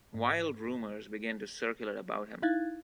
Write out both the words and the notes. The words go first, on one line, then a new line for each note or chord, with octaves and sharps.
Wild rumors begin to circulate about him.
G#2
D#4 E4 F5 F#6 G#6 A6